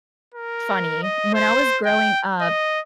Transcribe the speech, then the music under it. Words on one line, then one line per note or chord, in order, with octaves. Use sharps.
funny, when I was growing up,
A#4
D#5
C5
G5
D#5